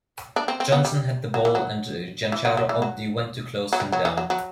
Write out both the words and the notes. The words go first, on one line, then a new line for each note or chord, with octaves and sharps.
Johnson had the ball and Giancarlo Oddi went to close him down.
D4
C4
C4
B3
G3
F#3
E3
F#3
E3
F#3
F#3
E3
F#3
F#3
G3
F#3
E3
F#3
F#3